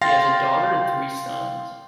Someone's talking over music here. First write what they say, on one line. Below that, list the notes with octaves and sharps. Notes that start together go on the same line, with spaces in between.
He has a daughter and three sons.
F5 G5 C6 A6 A#6